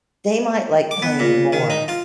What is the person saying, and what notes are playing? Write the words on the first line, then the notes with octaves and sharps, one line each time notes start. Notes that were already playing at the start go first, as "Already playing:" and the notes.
they might like playing more.
D6
B3
A#2
D#3
D#4
F4